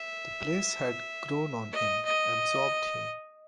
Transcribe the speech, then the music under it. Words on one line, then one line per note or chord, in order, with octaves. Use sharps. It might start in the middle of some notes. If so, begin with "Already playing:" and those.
The place had grown on him, absorbed him.
Already playing: E5
D#5
D#5